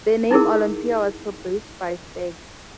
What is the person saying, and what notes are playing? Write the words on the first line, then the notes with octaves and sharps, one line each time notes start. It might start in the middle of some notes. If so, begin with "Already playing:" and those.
The name "Olympia" was proposed by Stagg.
D#4 E4 G#4 A#4